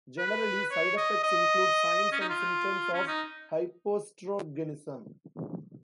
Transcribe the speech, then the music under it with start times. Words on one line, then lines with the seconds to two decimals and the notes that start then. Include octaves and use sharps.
Generally, side effects include signs and symptoms of hypoestrogenism.
0.18 B4
0.71 C#5
0.97 D#5
1.23 D#5
2.12 C#4
2.21 D#4
2.29 F4
2.94 C#4
3.08 D#4